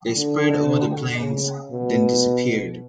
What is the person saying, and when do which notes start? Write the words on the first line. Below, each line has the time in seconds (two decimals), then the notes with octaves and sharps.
They spread over the plains, then disappeared.
0.17 D3
1.20 C#3
1.71 B2